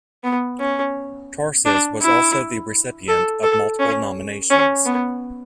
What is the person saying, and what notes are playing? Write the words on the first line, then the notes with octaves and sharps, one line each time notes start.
Tarses was also the recipient of multiple nominations.
B3
C#4
D4
E4
A4
A4
C#4
C#4
B3